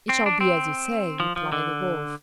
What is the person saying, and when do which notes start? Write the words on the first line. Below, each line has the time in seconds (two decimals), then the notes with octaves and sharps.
"It shall be as you say," replied the Wolf.
0.09 C4
0.26 D4
0.41 C4
1.20 F3
1.36 F3
1.52 D3